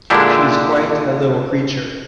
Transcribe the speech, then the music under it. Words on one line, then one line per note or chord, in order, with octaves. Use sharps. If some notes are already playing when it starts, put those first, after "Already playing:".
She is quite a little creature.
A#2 D3 G#3 D4 E4 G4